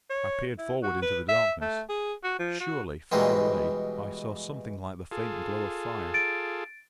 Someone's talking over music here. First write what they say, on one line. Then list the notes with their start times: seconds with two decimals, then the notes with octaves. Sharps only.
I peered forward into the darkness: surely, far away, I saw something like the faint glow of fire.
0.10 C#5
0.58 E4
0.83 F#4
1.02 B4
1.29 E5
1.61 A3
1.89 G#4
2.24 F#4
2.39 F3
2.60 F#4
3.12 B2 E3 G3 G#3 B3
5.12 F4 G#4 A4
6.14 A6 D7